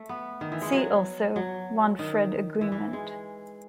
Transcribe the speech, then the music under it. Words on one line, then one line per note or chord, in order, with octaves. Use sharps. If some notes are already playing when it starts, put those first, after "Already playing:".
See also: Wanfried agreement.
Already playing: A3
B3
D#3
E3
G#3
F#3
F#3
D#3
E3
E3
G#3